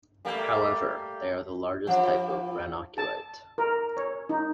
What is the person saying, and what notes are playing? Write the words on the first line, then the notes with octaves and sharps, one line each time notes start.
However, they are the largest type of granulocyte.
G3 A3 A#3
G2 F3
A5
A#4
C#5
D#4